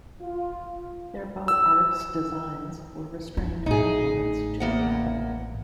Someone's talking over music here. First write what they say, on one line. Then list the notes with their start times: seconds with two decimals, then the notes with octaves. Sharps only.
Their Beaux Arts designs were restrained complements to the Capitol.
0.21 F4
1.48 E6
3.37 E4
3.66 A1 A2 D#4 G#4
4.60 E2 A#3 F#5